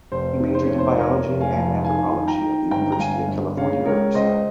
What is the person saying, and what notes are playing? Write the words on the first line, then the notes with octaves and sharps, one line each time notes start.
He majored in biology and anthropology at the University of California, Riverside.
F1 C5
D#3
C5
F1 C#5
C5
F1 A#4 C#5
F1
F5 G#5
F2
D#3 F5 G#5
D#3
G5 A#5
D#3
G1 G5 A#5
A#5
G1 F5 G#5
G1
C#3 C#5 F5
C#2 A#4 C#5
C#2 C5 D#5